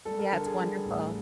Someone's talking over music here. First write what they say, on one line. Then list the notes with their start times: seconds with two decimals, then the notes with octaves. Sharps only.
Yeah, it's wonderful.
0.05 G3 A4
0.19 A#4
0.32 D3 A4
0.45 G#4
0.59 G3
0.86 A1